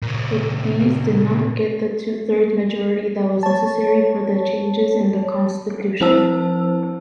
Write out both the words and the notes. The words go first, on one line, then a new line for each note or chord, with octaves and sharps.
But these did not get the two-thirds majority that was necessary for the changes in the constitution.
A#2 C#3
C#5 A5
F3 C4 E4 C5 A5 E6